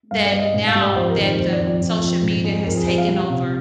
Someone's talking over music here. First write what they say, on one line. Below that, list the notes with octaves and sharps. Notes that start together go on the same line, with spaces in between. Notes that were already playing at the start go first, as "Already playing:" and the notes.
that now, that the social media has taken over
G2 F5
D5
G2
D#5
G#2
F5
G3
D5
F2 C5
A#4
D#3
C5
F2 C5
D5
F2
D5
F2
F2
G#2
G#3
F2 A#4
G#4
F3 C5
F5
G3 F5
C3